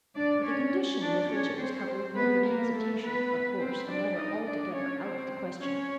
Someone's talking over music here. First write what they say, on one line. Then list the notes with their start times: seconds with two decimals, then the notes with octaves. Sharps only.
But the condition with which it was coupled rendered hesitation, of course, a matter altogether out of the question.
0.16 D4 D5
0.44 C#4 C#5
1.01 D4 D5
1.30 C#4 C#5
1.59 C4 C5
2.16 B3 B4
2.45 A#3 A#4
2.73 A3 A4
3.02 B3 B4
3.59 C4 C5
3.88 D4 D5
4.16 D#4 D#5
4.45 D4 D5
4.74 C#4 C#5
5.02 C4 C5
5.60 C#4 C#5